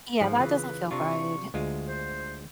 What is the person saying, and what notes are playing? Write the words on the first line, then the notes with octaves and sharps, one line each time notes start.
Yeah, that doesn't feel good,
G#2 F3 F4
C#3 E3 F4 B4
C3 D4 F4 C#6
D2 G#3 F4
C5